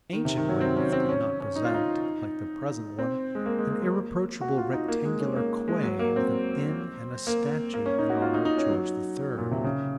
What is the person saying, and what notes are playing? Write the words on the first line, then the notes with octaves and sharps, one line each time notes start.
Ancient Weymouth did not present, like the present one, an irreproachable rectangular quay, with an inn and a statue in honour of George III.
D#3
C3
D#3
F#3
C4
C#4
C4
C#4
C#4
D#4
F4
D#4
C4
G#3
A#3
G#3
A#3
A#3
F#4
F4
D#4
A#3
G#3
C#4
A#3
G#3
F#3
A#3
C4
A#3
A#3
C#4
D#4
F#4
F4
D#4
D#4
C#4
F#3
A#2
C3
C#3